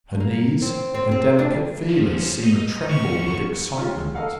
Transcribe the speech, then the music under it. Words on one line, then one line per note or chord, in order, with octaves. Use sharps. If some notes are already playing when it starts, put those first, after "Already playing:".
Her knees, her delicate feelers seem atremble with excitement.
A#3
C4
C4
C4
D4
F3 C#4
D#4 D#5
D2 C#4 C#6
G#3 C#4 F4 G4
A4 A#4 D#5 F5 F#5